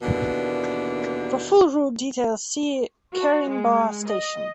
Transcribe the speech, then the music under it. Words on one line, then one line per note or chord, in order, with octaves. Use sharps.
For full route details see Caringbah Station.
D#2 B2 D3 E3 A#3 D4
F#4
G#3
D#5